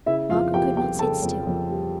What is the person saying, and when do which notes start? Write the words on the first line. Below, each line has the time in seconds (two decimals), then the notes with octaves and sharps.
Margaret could not sit still.
0.06 C#3 E4 E5
0.30 F2 F4 F5
0.53 F2 G4 G5
0.76 G3 G4 G5
0.99 C#3 A4 A5
1.22 F2
1.46 F2
1.70 G3